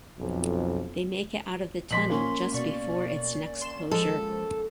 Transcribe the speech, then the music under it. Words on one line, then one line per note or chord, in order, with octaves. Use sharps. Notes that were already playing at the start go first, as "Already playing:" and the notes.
They make it out of the tunnel just before its next closure.
B1 F2
A#2 F3 D#5 C6 B6 F#7
A#3 C#4 C6
B2 D5 C#6
C6 E7
F3 G#3 A4